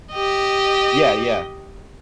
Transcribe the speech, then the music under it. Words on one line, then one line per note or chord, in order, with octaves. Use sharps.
Yeah, yeah.
G4 D#5